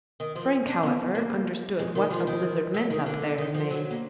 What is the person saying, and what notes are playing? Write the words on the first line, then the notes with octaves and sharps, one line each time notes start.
Frank, however, understood what a blizzard meant up there in Maine.
D#3
F3
D4
B3
A#3
G#3
D#3
F3
D#3
F#3
D#3
D3
D#3
F3
F#3
A#3